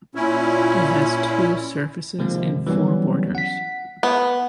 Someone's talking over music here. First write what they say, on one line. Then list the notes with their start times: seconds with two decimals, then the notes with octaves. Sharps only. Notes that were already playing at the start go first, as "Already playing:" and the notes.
It has two surfaces and four borders.
0.15 A#2 C#4 E4
2.19 C3 D#3 F3 G#3 A#3 C4
2.67 E3 F#3 G3 B3 C#4
3.35 F#5 B6
4.03 B3